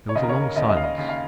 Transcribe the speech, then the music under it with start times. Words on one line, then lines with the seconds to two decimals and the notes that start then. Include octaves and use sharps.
There was a long silence.
0.09 C#5
0.15 D#2 C#3 D#5
0.23 A#4
0.29 C#5
0.42 A#4
0.56 D#2 C#3 D#5
0.69 D#5
0.77 F5
0.84 D#5
0.98 D#2 C#3
1.09 F5